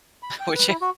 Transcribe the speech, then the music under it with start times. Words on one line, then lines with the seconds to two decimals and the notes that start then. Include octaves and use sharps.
Would you?
0.23 B5
0.40 G5
0.55 B4
0.68 E4
0.81 F#4